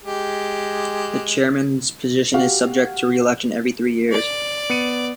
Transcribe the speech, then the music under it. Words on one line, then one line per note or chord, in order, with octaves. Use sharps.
The chairman's position is subject to re-election every three years.
G#3 G4
F#4 G4 F5
D5
B3 C#7 D#7